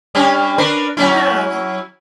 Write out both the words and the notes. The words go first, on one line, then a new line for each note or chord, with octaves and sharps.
yeah, b
G3 C#4 D4
D4 A#4 B4
F#3 C#4 E4